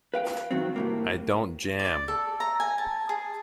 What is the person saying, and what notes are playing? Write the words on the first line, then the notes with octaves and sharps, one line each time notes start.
I don't jam.
B4 F5 G5
F#2 D#3 F#3 C4
C2 A2 A#3
D5
A4
A#5
G#5
A5
G#4